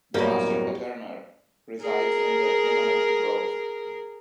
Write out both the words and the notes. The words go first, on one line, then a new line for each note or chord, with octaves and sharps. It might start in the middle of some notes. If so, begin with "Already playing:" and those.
The Master Patterner resides in the Immanent Grove.
D1 F#2 B2 G3 A#3 C#5
G#4 A#4